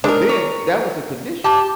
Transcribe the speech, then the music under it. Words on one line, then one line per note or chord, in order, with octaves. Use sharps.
but then that was the condition.
G#3 D4 A#4
C#5
G4 A5